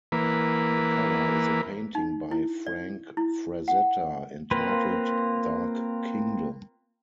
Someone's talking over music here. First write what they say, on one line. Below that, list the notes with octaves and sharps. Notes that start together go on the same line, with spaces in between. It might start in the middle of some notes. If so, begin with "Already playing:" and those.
The cover is a painting by Frank Frazetta entitled Dark Kingdom.
E3 A#3 B4
D#4
E4
D5
E4
F#5
A#3 C4 F4 B4